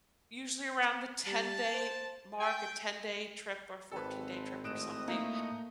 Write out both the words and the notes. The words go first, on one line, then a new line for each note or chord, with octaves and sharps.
Usually around the ten-day mark, a ten-day trip or fourteen-day trip or something.
G3 A5
C5
G5 G#5
G#1 C4 A4 B4
A2 D#5 F#6 D7 E7
A3 A#3 D#4